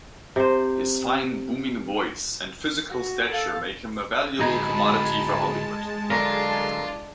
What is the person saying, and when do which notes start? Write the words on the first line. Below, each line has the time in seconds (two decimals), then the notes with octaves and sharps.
His fine, booming voice and physical stature make him a valuable commodity for Hollywood.
0.36 C3 C5
2.89 F#4
3.30 A4 F5
4.40 D3 F#3 G#3 D#4 G#4 D#5 A5 B5
6.10 D3 F#3 D4 F4 A#4